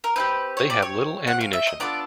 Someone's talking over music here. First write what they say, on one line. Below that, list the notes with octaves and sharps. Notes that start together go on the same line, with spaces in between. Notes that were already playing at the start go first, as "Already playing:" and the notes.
They have little ammunition.
A#4
C4 E4 G4 B4
C#5
D5
C#5
F#5
F5
E5
D#5
B3 D4 F4 A4 D5